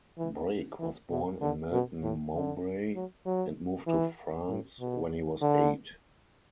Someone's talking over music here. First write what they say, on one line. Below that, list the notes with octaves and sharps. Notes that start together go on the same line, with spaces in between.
Brake was born in Melton Mowbray and moved to France when he was eight.
E3
E3
B2
D3
B2
A2
D3
F#3
F#3
E3
A2
B2
D3